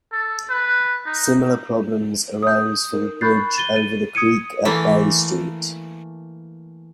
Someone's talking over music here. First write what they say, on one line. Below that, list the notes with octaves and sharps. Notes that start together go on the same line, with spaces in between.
Similar problems arose for the bridge over the creek at Bay Street.
A4
B4
D#4
D#6 G6
D#4 A#4
B5 C#6 F#6 G6 A6 C7
A6 D#7 G7
A6 D#7
D#6 G#6 C#7 D#7
E3 A3 A#3